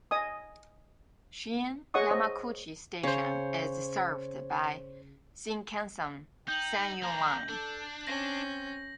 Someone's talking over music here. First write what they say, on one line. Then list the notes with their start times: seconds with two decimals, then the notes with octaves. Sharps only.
Shin-Yamaguchi Station is served by the Shinkansen Sanyō line.
0.11 D#5 G#5 D#6
1.94 G#4 C#5 D#5 F#5 C#6 D#6
2.11 C5 D#5
3.03 C#3 C5 C#5
6.48 D#4 G5 G6 F#7
7.03 A#3 D4 A#5
7.49 D4 A4
8.07 C4 C#4 A#6